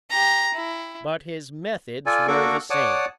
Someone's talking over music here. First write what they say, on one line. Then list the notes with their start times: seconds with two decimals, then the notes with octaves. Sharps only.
But his methods were the same.
0.10 G4 A#5
0.54 E4
2.06 F4 A4 D5 G#5
2.28 A#3 D4 F#4 A4 C#6 D6
2.70 C#5 D5 F#5 A5 D6 D#6